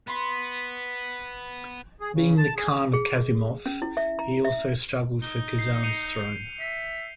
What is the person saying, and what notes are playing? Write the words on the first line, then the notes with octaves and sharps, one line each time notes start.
Being the khan of Kasimov, he also struggled for Kazan's throne.
B3 B4 B5 C6
G#4
C#3
A5
G#4
G#4
C#4
E4
E5
A#5
E5
D#4 G7
G6 C7
C#7 D#7 F7
E5